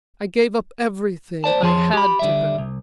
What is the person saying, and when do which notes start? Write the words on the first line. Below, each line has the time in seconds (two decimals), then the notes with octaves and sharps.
I gave up everything I had to her.
1.44 C5 D5 A5
1.62 F2 F3 G#4 C#5 A5 C6
1.93 G4 B5
2.19 D3 G3 E5
2.58 C2